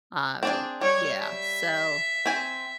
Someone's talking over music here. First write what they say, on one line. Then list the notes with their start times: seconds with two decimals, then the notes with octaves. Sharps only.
Um, yeah, so
0.43 C4 D4 G#4
0.81 G3 C#5
1.20 E5
2.26 C4 G#5